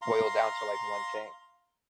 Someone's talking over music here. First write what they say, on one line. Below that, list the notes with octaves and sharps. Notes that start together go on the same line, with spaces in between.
boil down to, like, one thing.
F5 A#5 C6